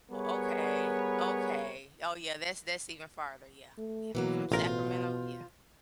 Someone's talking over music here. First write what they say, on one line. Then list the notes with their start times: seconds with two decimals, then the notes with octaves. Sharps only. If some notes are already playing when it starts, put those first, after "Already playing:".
oh, okay, okay. Oh, yeah, that's that's even farther. Yeah, yeah. From Sacramento? Yeah.
0.11 G3 B3 G#4 A#4 B4 C#5
3.78 A3
4.15 B2 E3 F#3 A#3
4.52 A1 B2 F4 A#4 C5